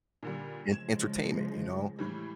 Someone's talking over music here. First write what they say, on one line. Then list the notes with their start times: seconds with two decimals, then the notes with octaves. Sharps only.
en entertainment, you know?
0.23 A#2 D3 G3
0.71 C#3 F3 G#3 G#6 E7
1.99 A2 E3 G3